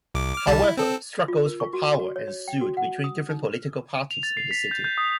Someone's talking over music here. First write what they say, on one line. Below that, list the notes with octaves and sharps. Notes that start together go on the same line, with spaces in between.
However, struggles for power ensued between different political parties in the city.
C2 D6
D6 F6
C2 G3 A5
E4
C4 A4
F4
A#4
C#6
F#4
F#4
C#5
C#5
G5
F#4
F#5
D#6
D#4
F7
A6
C7
B6
G6
G6
D#6